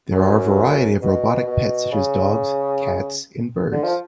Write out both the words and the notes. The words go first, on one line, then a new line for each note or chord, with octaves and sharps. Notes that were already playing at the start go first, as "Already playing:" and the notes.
There are a variety of robotic pets such as dogs, cats, and birds.
F#2
B2
B2
C#3
D3
F3